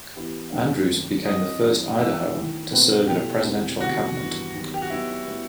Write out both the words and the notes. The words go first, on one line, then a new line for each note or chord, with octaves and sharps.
Andrus became the first Idahoan to serve in a Presidential Cabinet.
E3 B3 E4 G4
E2 C3 F#3 C4 D#4
F#2 D#3 A3
F#3 C4 E4 A4 D#5
G2 E3 B3 E4
E3 B3 F#4 E5
D#3 A3 E4
B2 A3 C4 F#4 B4
B2 A3 E4 G4 A4
E2 B2 A3 C4 E4
E2 C3 D#3 A3 F#4
G2 E3 B3
D#3 F#3 B3 D#4 G4
G4
F#4
F#3 B3 D#4 E4 G4
A2 G3 B3 E4